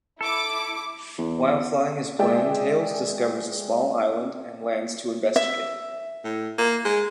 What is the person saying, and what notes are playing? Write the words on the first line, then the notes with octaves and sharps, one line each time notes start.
While flying his plane, Tails discovers a small island and lands to investigate.
E4 A4 D6
E2
G#3 G#4 D5 E5 G5
E5
A2
A#3
G#3